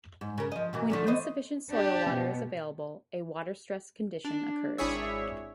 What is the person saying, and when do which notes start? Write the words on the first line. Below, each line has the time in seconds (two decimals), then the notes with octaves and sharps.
When insufficient soil water is available, a water-stressed condition occurs.
0.21 G#2
0.38 C#3 A#4
0.52 F3 D#5
0.73 B2 E3 A#3
0.90 D3 F3 A3
1.07 E3 C5 D#5
1.71 D4 G4
2.11 B2
4.25 D4
4.78 G#1 D4 E4 G#4 C#5 E5